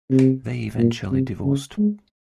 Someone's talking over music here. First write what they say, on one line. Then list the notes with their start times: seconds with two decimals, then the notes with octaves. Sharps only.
They eventually divorced.
0.11 C3
0.78 A#2
1.11 C3
1.44 C#3
1.78 G#3